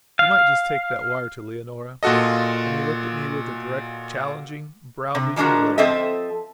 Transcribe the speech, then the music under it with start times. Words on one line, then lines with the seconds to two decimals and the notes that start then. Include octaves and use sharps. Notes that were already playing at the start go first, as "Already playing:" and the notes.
"You might just take that wire to Leonora." And he looked at me with a direct, challenging, brow-beating glare.
0.19 F5
2.03 A#2 F4 F#4 A4 D#5
5.15 C3
5.36 D#3 F3 G#3 D4 F#4 A#4
5.78 F3 C4 A4 D#5 E5